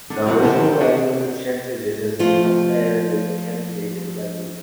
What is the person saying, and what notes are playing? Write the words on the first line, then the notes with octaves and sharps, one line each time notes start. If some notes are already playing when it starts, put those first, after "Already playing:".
The original value of the check digit is then compared with the calculated value.
D3
C3 E3 F#3 F#4
C#4 F#4 G4 A4 C5
C#4 D4 F#4 G#4
F3 A3 F4